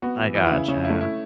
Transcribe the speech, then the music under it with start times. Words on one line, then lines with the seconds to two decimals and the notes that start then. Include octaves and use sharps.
I gotcha.
0.02 B3 F#4
0.19 E3
0.35 E3
0.46 E4
0.52 C#3
0.68 C#3 C#4
0.84 E4
0.90 A3
1.01 E4